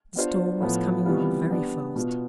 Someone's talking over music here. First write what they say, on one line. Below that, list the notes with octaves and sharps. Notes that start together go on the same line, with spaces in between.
The storm was coming on very fast.
B3 D4 F4 C5
A2 F3 B3 F4
C3 E3 G3 B3 F4
B3 D4 G4 D5
B2 B3 F4